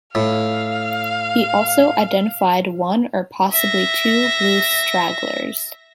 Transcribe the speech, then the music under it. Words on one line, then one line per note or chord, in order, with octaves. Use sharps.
He also identified one or possibly two blue stragglers.
A2 F5
E5 A#6